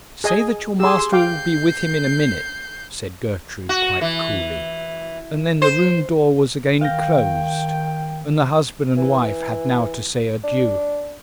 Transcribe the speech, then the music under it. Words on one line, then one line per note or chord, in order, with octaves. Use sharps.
'Say that your master will be with him in a minute,' said Gertrude, quite coolly; and then the room door was again closed, and the husband and wife had now to say adieu.
G#4 D#5 G#5
G4 G#4 C6 E6
F5 G5 D6 G6 C7
F#4
E3
C5
D#3 F5 G5 G6 A#6
E3
D4